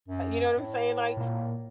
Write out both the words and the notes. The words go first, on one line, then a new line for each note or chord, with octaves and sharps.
you know what I'm saying, like,
F#2
A2
A#2 A#3